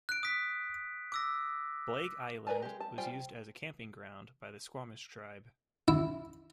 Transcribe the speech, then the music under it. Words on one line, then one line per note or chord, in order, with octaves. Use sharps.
Blake Island was used as a camping ground by the Suquamish tribe.
F#6 D7
D#6 B6
D6 E6 A#6
A#4 B4 D5 G#5 A5
G#3 G4
A5
G3 F4 C5 G5 G#5
E4